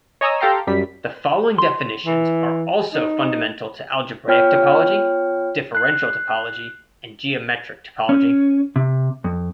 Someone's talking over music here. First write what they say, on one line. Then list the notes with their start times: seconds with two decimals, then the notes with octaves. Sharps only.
The following definitions are also fundamental to algebraic topology, differential topology and geometric topology.
0.21 C#5 D#5 G#5 A#5 D#6 E6
0.41 G4 A4 F5 G5 A#5 C6
0.67 F#2 G3 B6
1.58 C6
2.06 E3
2.93 D#4
4.28 B3 F4 C#5 G5 F6
5.75 F#6 C7
8.09 C#4
8.76 C3
9.24 F2